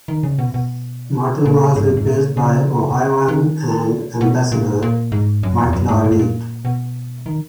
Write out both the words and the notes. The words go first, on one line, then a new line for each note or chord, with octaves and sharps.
Morton was replaced by Ohioan and Ambassador, Whitelaw Reid.
D#3
C#3
B2
B2
A#2
G#2
F#2
G#2
A#2
C#3
D#3
B2
A#2
A#2
G#2
F#2
E2
F#2
G#2
A#2
G#2
A#2
B2
D#3